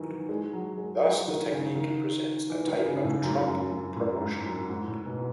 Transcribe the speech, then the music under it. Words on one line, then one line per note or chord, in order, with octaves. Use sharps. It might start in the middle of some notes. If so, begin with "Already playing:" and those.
Thus, the technique presents a type of trump promotion.
Already playing: D#3 E3 F#3
E3
G#3
F#3
G#3
F#3
D#3
C#3
D#3
E3
D#3
C#3
A2
F#2
F#2
F#2
A2
G#2
F#2
G#2
A2
B2